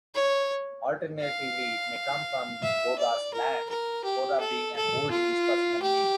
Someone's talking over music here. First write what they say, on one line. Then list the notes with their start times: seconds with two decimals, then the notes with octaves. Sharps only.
Alternatively, it may come from 'Goda's land', Goda being an Old English personal name.
0.15 C#5
1.21 F5
2.62 E5
2.98 D5
3.34 A#4
3.69 A#4
4.04 G4
4.40 A4
4.76 A4
5.11 F4
5.82 G4